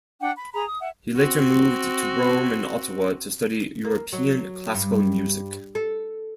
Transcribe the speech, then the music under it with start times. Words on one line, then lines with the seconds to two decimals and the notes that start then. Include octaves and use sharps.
He later moved to Rome and Ottawa to study European classical music.
0.20 D4 F#5 G5
0.36 B5
0.52 G#4 A#5 B5
0.67 D#6
0.80 E5 F#5
1.17 C4 F#4
3.84 A#3
4.12 F#3
4.74 G2
5.75 A4